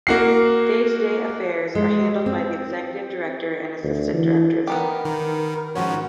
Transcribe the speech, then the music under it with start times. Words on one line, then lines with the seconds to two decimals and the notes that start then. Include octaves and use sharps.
Day-to-day affairs are handled by the Executive Director and Assistant Directors.
0.07 A#3 F#4 C7
1.75 G#3
2.26 C4
3.84 D2
4.14 E3
4.67 B3 D#4 G4 A#4
5.05 D#3
5.75 G#2 D#3 F3 C#4 F#4